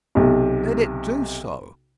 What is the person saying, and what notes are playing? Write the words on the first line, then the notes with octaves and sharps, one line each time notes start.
"Let it do so."
B1 C3